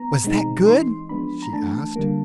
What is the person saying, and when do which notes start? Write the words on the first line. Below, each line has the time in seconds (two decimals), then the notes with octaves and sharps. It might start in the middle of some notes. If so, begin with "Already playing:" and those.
"Was that good?" she asked.
Already playing: B3 A#5
0.24 B2 G#3 C4 D#4
0.66 E3 G#3 C4 D#4 C6
1.09 F3 G#3 B3 D4 B5
1.42 A#5
1.52 E3 A3 D4 A5
1.96 D3 G3 A#3